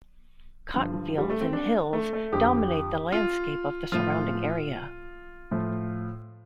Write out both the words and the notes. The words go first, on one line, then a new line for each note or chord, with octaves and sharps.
Cotton fields and hills dominate the landscape of the surrounding area.
G2 D3 F3
G3
A3
C4
D4
A3
A3
F2 D3 F3 G4
F4
A2 F3 F4
A2 F3